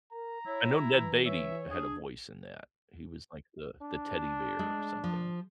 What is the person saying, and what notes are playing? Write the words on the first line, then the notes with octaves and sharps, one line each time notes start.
I know Ned Beatty had a voice in that. He was like the the teddy bear or something.
A#4 A#5
E4 C#5
E3
C#5 E5
D4 G#4
D4
G#3
F3